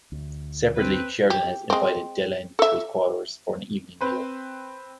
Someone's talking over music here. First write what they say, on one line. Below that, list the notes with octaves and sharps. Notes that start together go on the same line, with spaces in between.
Separately, Sheridan has invited Delenn to his quarters for an evening meal.
D2
C4 B4
G4
G#3 C4
A4 E5
C4 B4 C5